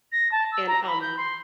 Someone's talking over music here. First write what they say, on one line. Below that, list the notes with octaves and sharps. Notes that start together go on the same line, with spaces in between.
and, um
A#6
A5
E6
A#5
B5
G6
C6